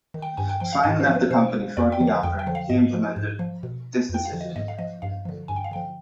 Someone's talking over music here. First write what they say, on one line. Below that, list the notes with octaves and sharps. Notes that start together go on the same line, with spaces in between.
Fine left the company shortly after he implemented this decision.
D#3
G5
G2 G#5
G5
F3 G5
F5
G#2 D#5
C5
F3
B4
B2 C5
F2 D5
G5
D3 F3
F5
F2 G5
G5
D3 F3
F5
G#2 D#5
F3
G#2
F3
B2
F2
G5
F5
D3 F3
D#5
G#2 D#5
F5
F3 D#5
G2 F5
D3 F3
G2 G#5
G5
F5
D3 F3 G5